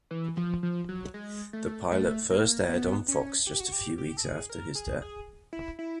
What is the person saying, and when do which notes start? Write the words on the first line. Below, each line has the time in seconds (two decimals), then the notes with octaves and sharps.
The pilot first aired on Fox just a few weeks after his death.
0.11 E3
0.37 F3
0.63 F3
0.89 F#3
1.14 G#3
1.53 A3
1.92 A3
2.31 A#3
2.69 B3
3.08 C#4
3.47 G4
3.60 F#4
3.72 G4
3.98 G4
4.17 A4
4.24 G#4
4.50 A#4
4.75 G#4
5.02 G#4
5.53 E4
5.79 E4